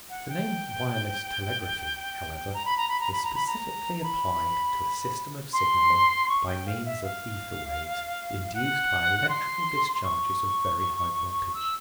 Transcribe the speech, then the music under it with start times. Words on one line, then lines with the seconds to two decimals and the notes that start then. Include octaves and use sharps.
The name "Wireless Telegraphy," however, is specifically applied to a system of signaling by means of ether-waves induced by electrical discharges of very high voltage.
0.10 F#5
0.29 G5
2.54 A#5
2.65 B5
2.77 A#5
2.89 B5
3.00 A#5
3.12 B5
3.24 A#5
3.35 B5
3.47 A#5
4.03 B5
5.53 C6
6.29 C#6
6.47 G5
6.66 F5
6.86 E5
7.04 F5
8.54 F#5
9.29 C6
9.95 C6
10.04 C#6
11.54 E6